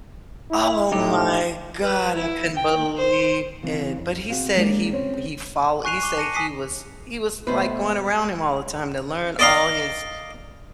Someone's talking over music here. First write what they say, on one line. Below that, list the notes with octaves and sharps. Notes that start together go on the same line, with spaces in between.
Oh my god I couldn't believe it. But he said he w he follow he say he was he was, like, going around him all the time to learn all his
E4
A2 D#4 G4
B4
E4
G5
C5
C#3 E3 C4
F2
B2 C4 F#4 G#4 F5
G#3 A#3 D4 G4 C#5 D5
C4 C#4 C5 C#5
G#5 C#6 F#6 C7 D#7 F7
C#6 D6 G7
A5 A#6 C#7 D#7
G#5 D#6 B6 C7 D#7
B2 A3 B4 C5
D5 D#5 F5